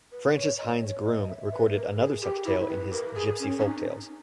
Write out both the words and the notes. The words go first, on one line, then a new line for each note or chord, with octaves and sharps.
Francis Hindes Groome recorded another such tale in his "Gypsy Folk Tales".
B4
C#5
D#5
C#5
D#5
E5
B4
A#4
G#4
G4
E4
B4
A#4
G#4
C#4
C#4
D#4